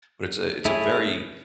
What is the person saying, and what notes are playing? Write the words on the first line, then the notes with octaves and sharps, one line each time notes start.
but it's a it's a very
A3 E4 G#4 C#5